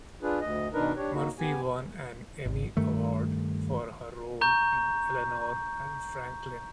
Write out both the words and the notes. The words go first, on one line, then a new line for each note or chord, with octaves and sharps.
Murphy won an Emmy Award for her role in "Eleanor and Franklin".
D4 F4 G#4 B4
D2 D#5
B2 D#3 D4 D#4 A#4 B4
D4 G4 C#5
A#3 D#4 F#4
B3 G4 G#5
G#1
G2 D#3 A3
A#5 C#6 G6